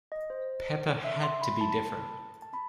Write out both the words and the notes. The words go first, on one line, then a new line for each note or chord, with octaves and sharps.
Pepper had to be different.
D#5
C5
E5
C6
B5
A5
A5
B5